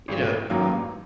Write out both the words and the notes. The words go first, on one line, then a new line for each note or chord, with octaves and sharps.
you know, um
G#1
F#2 D#3 F#3 A#3